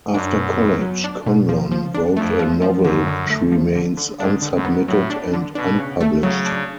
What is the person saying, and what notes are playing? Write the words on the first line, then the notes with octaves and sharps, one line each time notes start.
After college Conlon wrote a novel which remains unsubmitted and unpublished.
F#2 D4
B2
B3
F#3
D4
B2
F3
F3
D4
F2 A3
F3
F3
F#2 D3
D3
A3
F3
D3
D3
G#2 D4
D3
F#2
B3
A2 F#3
D4
D3
B2 D4
C#3
A3
C#3 F#3
D4